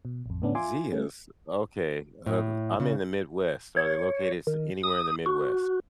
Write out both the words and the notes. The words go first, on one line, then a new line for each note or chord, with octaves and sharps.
Zea’s? Okay, uh I'm in the Midwest. Are they located s anywhere in the Midwest?
B2
A1 F2
A2 D3 B3 C#4 D4
F4 E5 G#5 C6 D6
G3 A3 C#4
A2
C#3
C#5
D#3
D#6
F#4